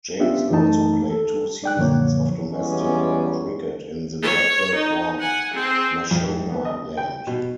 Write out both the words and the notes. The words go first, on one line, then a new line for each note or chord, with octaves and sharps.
James also played two seasons of domestic cricket in Zimbabwe for Mashonaland.
B3 C#4 D4 F4 G4 E5
F#2 E3 A3 D#4 A5
A4
D5 G5 F#6
F#2 A#2 D3 F3 A#3 C#5
E2 G3 G#3 B3 C#4
C#5
D#4
F#5 G#5
C4 G#4
F2
B3
D#5
G5
B2